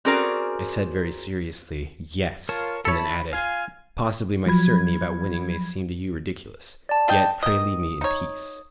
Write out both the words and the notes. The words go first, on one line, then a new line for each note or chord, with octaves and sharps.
I said very seriously, "Yes," and then added: "Possibly my certainty about winning may seem to you ridiculous; yet, pray leave me in peace."
C4 C#4 F#4 G#4 A#4 D5
F4 A#4 C#5 A5
E4 A4 C#5 A5 B5
F4 F5 G#5
F3 F#3 B5 G#6
D5 A5
D4 D#5 G5
D#3 D#5 D#6
D#4 C#5